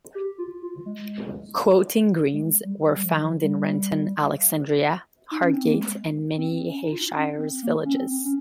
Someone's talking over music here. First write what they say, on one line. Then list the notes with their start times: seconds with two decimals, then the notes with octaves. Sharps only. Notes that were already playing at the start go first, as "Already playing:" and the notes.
Quoiting greens were found in Renton, Alexandria, Hardgate and many Ayrshire villages.
0.15 G4
0.38 F4
0.62 F4
0.86 G#3
2.33 G#3
2.64 G3
2.96 G3
3.04 F3
3.12 D#3
3.21 F3
3.42 G3
5.31 D#4
5.42 C#4
5.53 C4
5.64 A#3
5.76 G#3
6.38 C4
6.69 C#4
6.84 D#4
6.92 F4
7.15 C#4
7.39 C4
7.63 A#3
7.85 C#4
7.94 C4
8.25 C#4